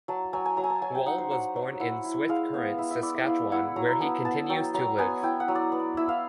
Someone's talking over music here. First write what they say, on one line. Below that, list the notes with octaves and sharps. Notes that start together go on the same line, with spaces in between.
Wall was born in Swift Current, Saskatchewan, where he continues to live.
F#3 A5
F#3 G#5
G#5
F#3 A#5
G#5
A5
F#3 G#5
G5
D#4 F#5
C5
F#3 F#5
F#3
E4 F#5
E4
G#3 F5
B3
E4 E5
E5
E4 D5
E5
E4 F5
E4 F#5
F#3 A#5
B3 A5
B3 A5
F#3 G5
F#3 A#5
B3 G#5
E4 G5
F#5
F#3
D5
B3
E4 E5
F5